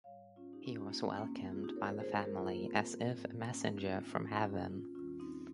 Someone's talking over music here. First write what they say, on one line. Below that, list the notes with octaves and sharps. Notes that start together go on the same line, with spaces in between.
He was welcomed by the family as if a messenger from heaven.
G#2 G3 C#5 F5
C#4 F4
D#4 G4
C#4 F4
D#4 G4
A#3
D#2 C#3 G#3 C4
A#3 C#4
C4
F4 G#4
D#4 G4
A#4 C#5
G#4 C5
G#2 D#3 G#3 G#4 C5
G#4 C5
G4 A#4
F4 G#4
A#3
C4
A#3
G#2 F3 G#3 C4
C4
A#3
A#3 C#4
C4 D#4
C#4 F4
G#2 D#3 G#3 C4 D#4
C#4 F4
C#4 F4
C#4 F4
C#4 F4
D#2 D#3 G3 C#4 F4
C4 D#4